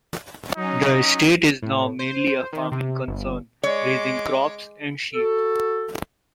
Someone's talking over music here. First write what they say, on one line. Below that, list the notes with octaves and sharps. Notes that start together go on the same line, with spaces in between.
The estate is now mainly a farming concern, raising crops and sheep.
F#3 C#4 D#4
A2
C5
D#3
C3
G1
G#3 C#5 D6
F#4 A4